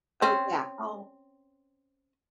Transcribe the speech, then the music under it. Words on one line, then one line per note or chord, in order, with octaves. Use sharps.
Oh yeah, oh
C4 C#4